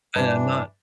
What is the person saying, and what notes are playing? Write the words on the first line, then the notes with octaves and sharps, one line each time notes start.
And I'm not
G2 E3 D4 B4 A5